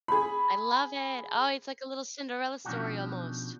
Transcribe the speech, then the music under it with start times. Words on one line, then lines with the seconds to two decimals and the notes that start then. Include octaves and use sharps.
I love it. Oh, it's like a little Cinderella story, almost.
0.08 G#4 B5
2.65 B2 F3 C#4 D4 F#4 G4